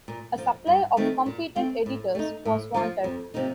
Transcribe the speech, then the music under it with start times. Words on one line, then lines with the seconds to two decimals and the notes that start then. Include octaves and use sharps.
A supply of competent editors was wanted.
0.08 A#2
0.38 F3 A#3 F4
0.67 G2
0.97 D#3 A3 C4 D#4
1.26 A#2
1.56 A3 C4
1.86 A2
2.15 A3 D#4
2.45 A2
2.74 F3 A#3 F4
3.04 F2
3.34 C3 F3 A#3 D#4